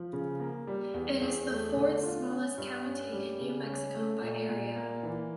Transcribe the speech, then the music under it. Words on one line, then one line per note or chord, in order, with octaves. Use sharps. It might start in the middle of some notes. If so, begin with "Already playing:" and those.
It is the fourth-smallest county in New Mexico by area.
Already playing: F3
C#3
A#3
G3
E2
E2
A3
D3
F4
C#4
G2
C#4
G3
C#3
C#4
A3
A#2
A#2
A#3
E3